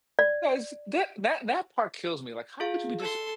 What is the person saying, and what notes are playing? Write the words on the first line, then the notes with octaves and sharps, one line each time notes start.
No, is that that that part kills me, like, how could you be just
D5
F4 G#4 F5
A4 C6 E6